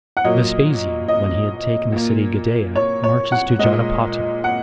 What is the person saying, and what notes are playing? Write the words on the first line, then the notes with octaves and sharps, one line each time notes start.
Vespasian, When He Had Taken The City Gadaea Marches To Jotapata.
F#5
A#2 F#3 A#3 D#5
D#5
A#2 A#3
C#5
C#5
F#5
A#2 G#3 D#5
F#5